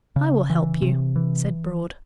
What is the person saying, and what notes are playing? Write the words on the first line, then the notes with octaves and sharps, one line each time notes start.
I will help you,' said Broad.
C#3
E3
C3
E3